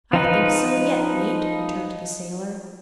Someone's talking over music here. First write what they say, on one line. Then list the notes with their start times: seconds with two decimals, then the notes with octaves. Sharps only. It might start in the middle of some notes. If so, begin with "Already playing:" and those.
"I think so yet, mate," returned the sailor.
0.13 F3 D#4 B4